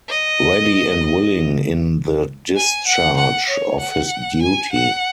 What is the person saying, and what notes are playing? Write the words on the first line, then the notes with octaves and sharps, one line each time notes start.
Ready and willing in the discharge of his duty.
D#5
G#5
F#5
F#5
C#5
F#5
G#5
F#5